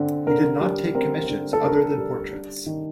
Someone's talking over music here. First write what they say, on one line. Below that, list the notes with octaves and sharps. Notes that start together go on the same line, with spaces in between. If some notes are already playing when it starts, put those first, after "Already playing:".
He did not take commissions other than portraits.
Already playing: D3 C4
D3 A#4
G3
C4 A#4
D3
A4
D3 A#4
G3
D4
D#3